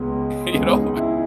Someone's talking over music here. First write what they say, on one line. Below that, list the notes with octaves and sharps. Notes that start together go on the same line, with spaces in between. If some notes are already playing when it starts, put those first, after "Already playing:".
you know?
Already playing: C#2 C#3 G#3 B3
C#2 C#3 G#3 B3 G#4
D#4
E4